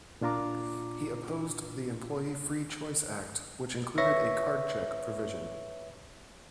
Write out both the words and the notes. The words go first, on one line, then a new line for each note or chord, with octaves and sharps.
He opposed the Employee Free Choice Act, which included a card check provision.
A#2 D4 F4 A#5 D6
B4 C#5 E5 C#6 A#6